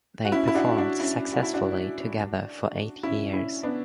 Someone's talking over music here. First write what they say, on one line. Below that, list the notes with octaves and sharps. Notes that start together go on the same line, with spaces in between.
They performed successfully together for eight years.
F#4
C#4 E4
E4
D4 F#4
D4 F#4
C#4 E4
F#4
E4
D4 F#4
C#4 E4
C#4 E4
B3 D4